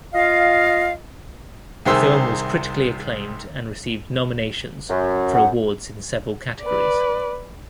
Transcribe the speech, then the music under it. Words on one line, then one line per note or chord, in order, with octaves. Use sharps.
The film was critically acclaimed and received nominations for awards in several categories.
F4 D#5 F5
C2 C3 D#3 G#4 C5 E6
F#2
F#5
B4 D5